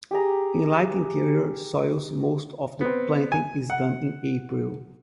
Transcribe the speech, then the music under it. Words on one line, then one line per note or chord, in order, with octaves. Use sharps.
In light interior soils most of the planting is done in April.
G4 G#4 A#5
B3 C4
G#5
F#5